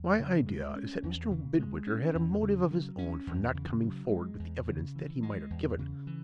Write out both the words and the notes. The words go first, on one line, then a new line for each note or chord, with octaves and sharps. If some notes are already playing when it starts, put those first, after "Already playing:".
My idea is that Mr. Midwinter had a motive of his own for not coming forward with the evidence that he might have given.
Already playing: E2
C#3
G#3
C#4
E2
C#3
G#3
C#4
E2
C#3
F#3
C#4
E2
C#3
F#3
G#3
E2
C#3
E3
G#3
E2
C#3
E3